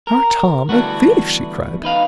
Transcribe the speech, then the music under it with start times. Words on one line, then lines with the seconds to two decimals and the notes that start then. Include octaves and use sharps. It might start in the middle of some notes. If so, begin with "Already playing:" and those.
"Our Tom a thief!" she cried.
0.07 A#4
0.69 D3 E3 G3 A3 B3 F#4
1.83 D#4 B4 F5